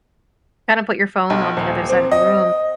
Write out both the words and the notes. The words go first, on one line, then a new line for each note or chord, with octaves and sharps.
kinda put your phone on the other side of the room.
B1
D#1
C4
D#5